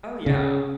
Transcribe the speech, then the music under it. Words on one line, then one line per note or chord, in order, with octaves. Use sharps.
Oh, yeah.
C#3